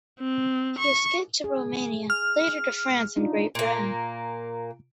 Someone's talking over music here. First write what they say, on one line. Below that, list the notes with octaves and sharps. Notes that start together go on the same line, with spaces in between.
He escaped to Romania, later to France and Great Britain.
C4
C#6
G#4
F6
D4 D#4 F4
A#2 A#3